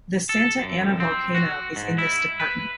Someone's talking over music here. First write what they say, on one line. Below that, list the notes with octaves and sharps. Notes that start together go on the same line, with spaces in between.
The Santa Ana Volcano is in this department.
A4
F#2
F2
C4
F#4
G#2
E4
B4